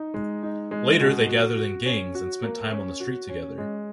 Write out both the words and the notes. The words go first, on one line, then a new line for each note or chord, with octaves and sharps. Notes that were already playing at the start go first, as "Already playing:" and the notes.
Later they gathered in gangs and spent time on the street together.
Already playing: D#4
G#3
D#4
G#3
B2
F#4
F#4
C#4
F#4
A#3
C#4
F#4
C#4
G#3